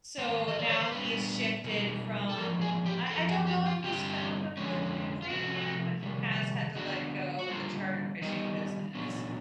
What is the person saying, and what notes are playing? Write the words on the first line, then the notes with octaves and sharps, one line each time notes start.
so now he's shifted from I I don't know if he's found a full new dream yet, but he has had to let go the charter fishing business,
G#2 D#3 C5
D#5
D5
C#5
C5
A#2 G3 B3 D4 B4
B2 G3 A#3 D#4
A4
G#2 F3 A#3 A#4
G#4
G4
F#2 C#3 F3 A4
G#4
G4
F4
G2 D3 G3 C4 G4
F2 D3 F3 G#3 C#4
F4
C3 F3 A3 F#4
C3 D#3 G3
D3 F#3 B3 D4 F#4
F#4
D3 G3 A#3 F4
D#3 G3 B3 D#4
A#2 F#3 B3 D4